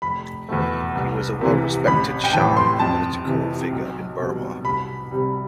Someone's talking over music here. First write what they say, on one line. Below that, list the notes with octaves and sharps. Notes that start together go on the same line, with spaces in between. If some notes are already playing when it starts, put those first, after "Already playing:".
He was a well-respected Shan political figure in Burma.
F1 B5
E2 B2 A3
C2
C3 E3
A1 B5
G5
A2 E3 A5
C6
F2 A5
C3 E3
B1
B2 G3
C2 B5
C3 G3